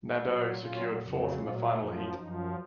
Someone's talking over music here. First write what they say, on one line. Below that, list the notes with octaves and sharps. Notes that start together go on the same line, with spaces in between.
Nadeau secured fourth in the final heat.
A#2 F#3 D#4
A#2 F#3 C#4 F4
F2 C#3 F#3
A#2 F#3 C#4 F4
F#2 F3 D#4
F#2 F3 D#4